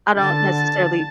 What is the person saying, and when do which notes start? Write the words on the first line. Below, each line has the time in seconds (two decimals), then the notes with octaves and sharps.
I don't necessarily
0.18 D3 A5 A6